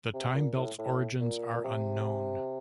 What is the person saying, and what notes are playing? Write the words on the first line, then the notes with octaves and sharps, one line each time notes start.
The Time-belt's origins are unknown.
C3
C3
A#2
A2
A2
A#2
A#2
C3